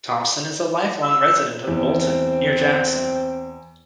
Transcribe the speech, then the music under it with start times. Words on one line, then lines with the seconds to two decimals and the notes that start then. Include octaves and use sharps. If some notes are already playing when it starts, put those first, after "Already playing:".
Thompson is a lifelong resident of Bolton, near Jackson.
1.03 E6
1.67 E2 C4